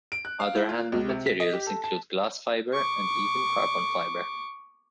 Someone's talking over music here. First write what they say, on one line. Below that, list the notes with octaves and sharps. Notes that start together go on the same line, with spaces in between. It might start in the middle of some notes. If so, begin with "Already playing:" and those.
Other handle materials include glass fiber and even carbon fiber.
D7
F#6
F5
E4
F4
C#2
C3
B6
D#5
G4
A4
A5
C#6 D6